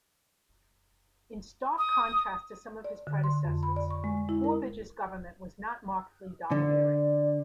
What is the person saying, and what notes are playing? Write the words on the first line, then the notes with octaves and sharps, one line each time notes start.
In stark contrast to some of his predecessors, Borbidge's government was not markedly domineering.
D#6
D5
D3
C6
F2
B5
D5
C#6
G#3
E4
A#4
D3 D5